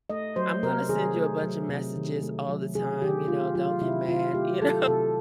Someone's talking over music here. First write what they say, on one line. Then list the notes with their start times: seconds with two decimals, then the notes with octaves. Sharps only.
I'm gonna send you a bunch of messages all the time, you know, don't get mad, you know.
0.10 A3 D#5
0.36 F#3 C5
0.63 C3 A#4
0.89 D#3 G#4
1.16 A3
1.43 F#3
1.69 C3
1.96 D#3
2.23 A3
2.48 F#3
2.75 C3 G#4
3.02 D#3 G4
3.28 A3 F4
3.55 F#3 F4
3.81 C3 E4
4.08 D#3 F4
4.34 A3 G4
4.61 F#3 A4
4.88 C3 A4